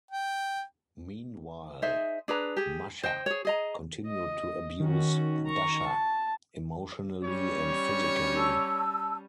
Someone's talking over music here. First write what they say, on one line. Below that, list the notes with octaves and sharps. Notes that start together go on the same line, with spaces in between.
Meanwhile, Masha continued to abuse Dasha emotionally and physically.
G5
D#4 G#4 C5 E5
D4 G#4 B4 A#5
G4 G#4
C5 D#5 G5
G#4 C#5
G#4 D#5 A#5
D#5
D#3 C#4 F#4
A#5 C#6
A5
G3 C#4 C#5
A5 E6